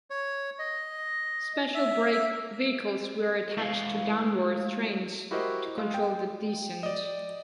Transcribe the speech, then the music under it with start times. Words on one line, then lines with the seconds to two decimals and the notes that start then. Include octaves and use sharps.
Special brake vehicles were attached to downwards trains to control the descent.
0.10 C#5
0.59 D#5
1.74 E5
2.12 E5
3.57 G#3 E4 G#4 B4 D#5 F5
5.31 E4 F#4 G4 A#4 C5 D#5
5.78 G#3 F5
5.94 G5
6.83 D5 D#5